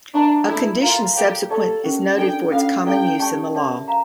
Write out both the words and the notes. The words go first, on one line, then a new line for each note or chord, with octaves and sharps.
A condition subsequent is noted for its common use in the law.
D4 A#4 E5 A#5 C#6
E4 A4 D5 A5
F4 A#4 C#5 F5 A#5
F4 G4 A4 D5 F5
G4 A4 D5 A5
C#4 G4 A#4
D4 A4 D5 G5
C#4 F4 A4 F5
C#4 E4 A4 D5 F5 G5
G4 D5 A5 C#6
A#4 C#5 E5 A5
F5 A#5